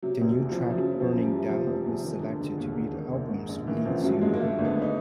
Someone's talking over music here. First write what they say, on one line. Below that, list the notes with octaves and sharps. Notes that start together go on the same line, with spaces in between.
The new track "Burning Down" was selected to be the album's lead single.
C3 F#3
F1
F#3
E2
F3
E3
F3
C#3 F#3
F#1
F3
F#2
G3
E3
C3 F3
F1
E2
D#3
D3
E1
D#2
E1
D#3
A#1
G#2
A#1
D#3 E3
A1 F3
G2 F#3
A1 G#3
A#3
D3 A3
G#1
B3
D#4